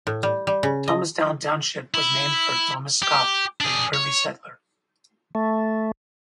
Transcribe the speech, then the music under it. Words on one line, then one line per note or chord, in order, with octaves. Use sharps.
Thomastown Township was named for Thomas Scott, an early settler.
A2
G3
G3
C#3
D#5
E4
G4
D4 G#4
C#5
A3